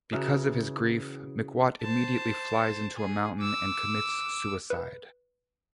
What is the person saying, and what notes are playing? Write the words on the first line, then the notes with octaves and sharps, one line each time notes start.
Because of his grief, McWatt immediately flies into a mountain and commits suicide.
C#3 E3 F#4 E5 A#5 F6
C5 A5
G#4
D6 E6
B4